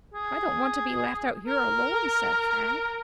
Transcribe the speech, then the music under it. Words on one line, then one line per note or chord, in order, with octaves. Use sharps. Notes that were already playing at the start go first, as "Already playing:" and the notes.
"I don't want to be left out here alone," said Frank.
G#4
A#4